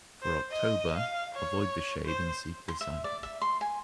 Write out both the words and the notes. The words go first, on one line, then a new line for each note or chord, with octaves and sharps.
For October, avoid the shade and seek the sun.
C5
D#5
F5
C#5
C5
C6
E5
D5
E5
C6
G#5